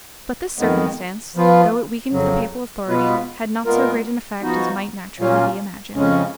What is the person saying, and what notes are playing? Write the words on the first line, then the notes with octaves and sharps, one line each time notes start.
But this circumstance, though it weakened the papal authority, had not so great an effect as might naturally be imagined.
F2 D#3 G#3 B3
F3 B3 F4
F2 C#3 F#3
B2 G#3 B3 F4 B4
A#2 G#3 B3 F4 A#4
F3 B3 D#4 F#4
A#2 F#3 C#4 F4
F2 C#3 G#3 C#4